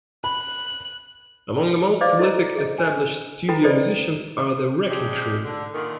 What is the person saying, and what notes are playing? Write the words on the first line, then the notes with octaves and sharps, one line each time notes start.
Among the most prolific established studio musicians are The Wrecking Crew.
B5 F#6
B4 C5 D5 D#5 F5 D6
E4 A4 C5 D#5 A#5
G#4 D#5
G#5
E4 A4 B4 G5 A#5 B5
A4 B4 C5 D5 D#5
C3 G#3 D4 G4
D3
A#2 D3 D#3